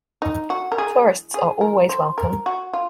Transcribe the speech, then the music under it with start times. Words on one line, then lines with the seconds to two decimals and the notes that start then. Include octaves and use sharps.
Tourists are always welcome.
0.22 D#4
0.50 F#4
0.72 A#4
0.78 G#4
1.34 G#4
1.61 A#4
1.89 C5
2.18 A#4
2.46 F#4
2.73 F4